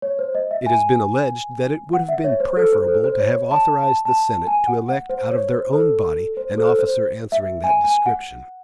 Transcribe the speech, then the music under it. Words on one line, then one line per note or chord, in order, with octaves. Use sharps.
It has been alleged, that it would have been preferable to have authorized the Senate to elect out of their own body an officer answering that description.
C#5
C5
D#5
E5
G#5
F#5
E5
C#5
C5
A4
C5
A4
C5
C#5
A5
A5
A5
G#5
F#5
F#5
C5
C#5
C5
A4
C5
C5
A4
C5
E5
G#5
G#5
F#5